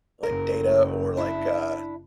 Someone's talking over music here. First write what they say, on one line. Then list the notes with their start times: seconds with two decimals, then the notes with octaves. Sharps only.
like, data or, like, uh,
0.23 F#1 A#4
1.17 D4 E4